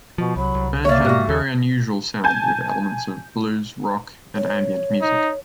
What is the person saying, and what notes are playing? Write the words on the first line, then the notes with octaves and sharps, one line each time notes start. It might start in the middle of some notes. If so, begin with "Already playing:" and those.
The band had very unusual sound with elements of blues, rock and ambient music.
B2 F3
C2 F#3 B5
C2
A#3 C#5 D5 E5
G#2 G3 F#4
D#2 A4
G#5 A5 G6
C#5
D#4